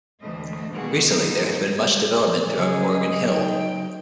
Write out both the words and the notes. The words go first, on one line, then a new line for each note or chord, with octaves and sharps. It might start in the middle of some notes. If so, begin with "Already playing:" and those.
Recently, there has been much development throughout Oregon Hill.
D2 A2 E3 A3 D#5
B2 D#3 G3 A#3 F#4 G#4
C#3 F3 F#3 G#3 B3 D#4
C#3 F#3 C#4 G#4 D#5
D#4 G5